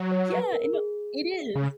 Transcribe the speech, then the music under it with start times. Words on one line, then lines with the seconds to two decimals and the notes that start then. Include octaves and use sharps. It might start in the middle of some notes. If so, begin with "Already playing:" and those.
Yeah, and o it is.
Already playing: F#3
0.12 C#5
0.32 B4
0.43 B4
0.52 A#4
0.64 A#4
0.73 G#4
1.55 C#3